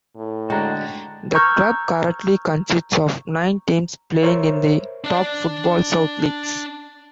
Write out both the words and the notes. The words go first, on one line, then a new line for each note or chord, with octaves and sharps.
The club currently consists of nine teams playing in the top Footballsouth leagues.
A2
D3 G#3 D4 F#4 G5 A#5
A#5 C#6 E6 F6 G6 G#6
A#4 C5 C#5 E5
D4 D5